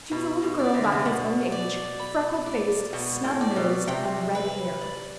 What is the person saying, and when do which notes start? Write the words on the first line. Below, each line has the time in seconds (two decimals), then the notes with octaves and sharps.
She was a little girl about his own age, freckle-faced, snub-nosed and red-haired.
0.11 B2 B5
0.43 B2
0.59 D5
0.74 C3
0.83 D3
0.92 C3
1.05 B2 F#5
1.52 D5
1.99 B5
2.46 D5
2.93 B2 F#5
3.24 A2
3.41 D5
3.56 B2
3.87 C3 G5
4.35 B4
4.81 D5